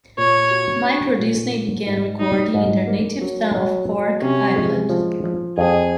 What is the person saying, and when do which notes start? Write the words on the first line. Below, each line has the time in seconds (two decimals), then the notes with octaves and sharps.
Microdisney began recording in their native town of Cork, Ireland.
0.18 A#2 C#5
0.51 F#4
0.85 C#4
1.19 A#2
1.53 A#3
1.87 G#2
2.19 F#3 D#4
2.54 G#2
2.88 A#3
3.21 F#3
3.55 F#3
3.89 F#3
4.22 C3 C#4
4.56 G#3
4.90 F3
5.24 F3
5.57 F2 G#4